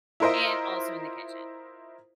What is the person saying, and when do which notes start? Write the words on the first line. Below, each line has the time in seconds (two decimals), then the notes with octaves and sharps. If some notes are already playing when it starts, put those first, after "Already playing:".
and also in the kitchen.
0.20 E4 F4 A#4 C5 D#5 E5